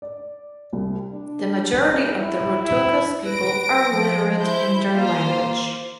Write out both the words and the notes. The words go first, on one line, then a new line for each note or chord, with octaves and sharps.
The majority of the Rotokas people are literate in their language.
D5
C2
D4
E2
E4
E4
B4 A#6 D7
F3
E4 C5 G6
A#3 F4 C5